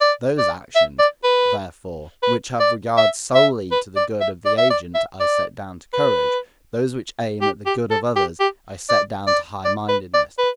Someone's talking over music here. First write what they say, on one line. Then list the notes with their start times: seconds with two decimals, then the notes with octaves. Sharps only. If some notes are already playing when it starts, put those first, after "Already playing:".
Those actions, therefore, which have regard solely to the good of the agent I set down to courage, those which aim at the good of others I set down to highmindedness.
0.01 D5
0.38 D5
0.75 E5
0.99 D5
1.24 B4
2.23 B4
2.60 D5
2.97 E5
3.35 E5
3.72 B4
3.96 D5
4.21 E5
4.45 D5
4.58 E5
4.70 D5
4.95 E5
5.20 D5
5.93 B4
7.42 G4
7.66 G4
7.91 A4
8.16 G4
8.40 G4
8.89 D5
9.27 D5
9.65 D5
9.89 B4
10.14 D5
10.38 B4